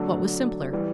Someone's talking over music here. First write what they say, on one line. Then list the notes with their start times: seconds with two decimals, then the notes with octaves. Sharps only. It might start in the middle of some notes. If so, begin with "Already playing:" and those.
What was simpler?
Already playing: D3 F#3 A3 D4 A4
0.73 E3 G3